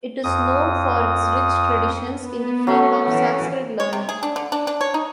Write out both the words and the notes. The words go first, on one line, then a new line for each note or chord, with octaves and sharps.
It is known for its rich traditions in the field of Sanskrit learning.
F2 D#6
B3
F#3 A3 C#4
E3
C#5
C3
G#4
D4
D3
D4
D4
C#5
D#4